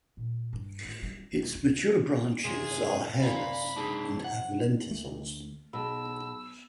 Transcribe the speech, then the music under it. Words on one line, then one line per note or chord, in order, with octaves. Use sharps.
Its mature branches are hairless and have lenticels.
A#2
G2
A2 A3
G3
E1 D3
D2
F#2 C3 G#4
D5 F5 A#5 B5
D4 D#4 G#4
F#5
D2 A3
B1 B2 G#4 A5 B5 E6